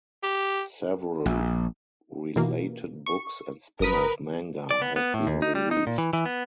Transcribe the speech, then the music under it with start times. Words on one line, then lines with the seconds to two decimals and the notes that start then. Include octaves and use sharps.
Several related books and spin-off manga have been released.
0.23 G4
1.26 A#1
2.36 B2 E3 A#3
3.06 C#6
3.80 G1 A#4 B4 D#6 B6
4.71 D5
4.82 B3
4.96 B3
5.14 A2
5.27 D#2
5.42 D#4
5.55 G3
5.71 D#4
5.87 A#2
5.98 E3
6.13 E3
6.26 B3